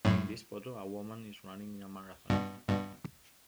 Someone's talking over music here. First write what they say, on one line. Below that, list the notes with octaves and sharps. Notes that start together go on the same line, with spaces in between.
In this photo, a woman is running in a marathon.
F#2 A2
G2 B2
G2 B2